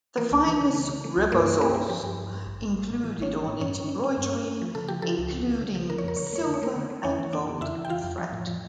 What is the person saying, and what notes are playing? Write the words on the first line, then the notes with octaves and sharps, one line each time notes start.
The finest rebozos included ornate embroidery including silver and gold thread.
E3 A#3 A#4
C#2
E3
C#3
A3
C#3
A3
C#2
G2 A#3 A#4
G2
G2 A#3 A#4
D4
F3 G4
G2
G2
G2
A1
A1
A1
A2
E3
A1 C#4 C#5
E3
A2
G2 C#4 C#5
C#4
C#4
C#4
G2
C#4
C#4
F3
C#3 A4
F3 G4
F3 A4
C#2
C#2
C#2
C#3
F3
D3 A#4
C#5
F2 A#4
D3 C#5
A#4
A3 C#5
D3 A#4
C#5
A3 A#3 A#4
D3
A3
F2 C#4 C#5
E3
A#3 D4 D5
C#3
F2 E4 E5
E3
G5
E3 F4 F5
F2
F3
A2
F3